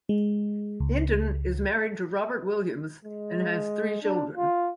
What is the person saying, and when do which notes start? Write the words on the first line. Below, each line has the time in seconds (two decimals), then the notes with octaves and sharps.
Hinton is married to Robert Williams and has three children.
0.09 G#3
0.80 C#2
3.05 G#3
4.03 D4
4.36 F4